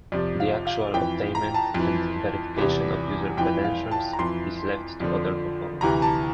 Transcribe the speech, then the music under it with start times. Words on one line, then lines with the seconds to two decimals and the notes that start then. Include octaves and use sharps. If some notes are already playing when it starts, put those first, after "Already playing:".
The actual obtainment and verification of user credentials is left to other components.
0.12 F2 C3 F3 D5
0.40 F5
0.67 F5
0.94 F2 E3 G5
1.35 A#5
1.54 A5
1.74 F2 E3
2.56 E2 C3 E3
3.37 F2 E3 G5
3.64 F5
3.91 A5
4.13 A#5
4.19 F2 E3 C6
5.00 F2 D3 F3
5.81 D2 C3 E3 A#5
6.02 A5